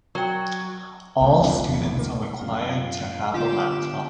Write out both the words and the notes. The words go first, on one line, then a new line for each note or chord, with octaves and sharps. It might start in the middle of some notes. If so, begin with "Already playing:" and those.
All students are required to have a laptop.
F#3 A#4 G5
C2 C3 F3 A3
E1 C2 F2 D3
E2 B2
E2 A2 E3
D2 F#3 A#3
F#2 A#2 C#3 F5
D3 B3 F4 G4 D6 E7